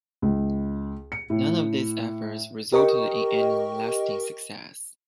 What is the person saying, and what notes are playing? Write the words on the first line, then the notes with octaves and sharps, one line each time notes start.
None of these efforts resulted in any lasting success.
C#2
C#7
A2
G4 A#4 D#5 G5 C#6